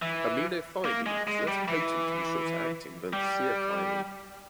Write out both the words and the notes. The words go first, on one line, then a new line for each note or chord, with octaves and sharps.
Aminophylline is less potent and shorter-acting than theophylline.
E3
A#3
G#3
G#3
G3
E3
G3